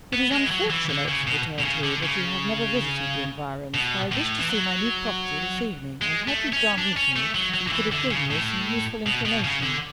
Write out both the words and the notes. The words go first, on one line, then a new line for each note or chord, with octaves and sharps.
"It is unfortunate," returned he, "that you have never visited the environs, for I wish to see my new property this evening, and had you gone with me, you could have given me some useful information."
B3
G#3
E3
F#3
E3
D3
C#3
B2
B2
C#3
D3
C#3
B2
A2
E3
F#3
G#3
A3
C#4
D4
C#4
A3
F#3
F#3
D3
E3
D3
C#3
A2
B2
B2
C#3
D3